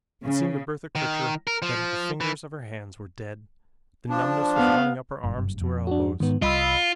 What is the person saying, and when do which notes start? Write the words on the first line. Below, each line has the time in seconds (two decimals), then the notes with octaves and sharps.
It seemed to Bertha Kircher that the fingers of her hands were dead. The numbness was running up her arms to her elbows.
0.25 C#3
0.95 D#3
1.47 A#4
1.62 F3
2.21 E3
4.09 F3 D4
4.57 B3 F5
5.23 F#1 G2
5.61 F2
5.87 D4 F#4
6.20 G#2 D#3 B3
6.42 C2 G3 F4 D#5 B5 E6